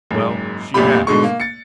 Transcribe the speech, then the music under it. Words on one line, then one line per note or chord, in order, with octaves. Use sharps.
Well, she has.
F#1 G#2
F1 A#1 A#2 G3 G4 B5
G#2 B2 D3 G#3 C#6
A#3
A6 C#7